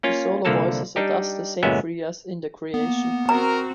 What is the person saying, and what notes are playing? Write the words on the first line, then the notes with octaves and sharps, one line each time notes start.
The solo voices are thus the same three as in "The Creation".
A#3 C#4 F4
C2 D3 F3 A#3 A4 A5
G3 D4 D#4 G4
G1 A#2 G#3 B3 C#4 E5
A#3 B3
C4 F#4 A#4 A#5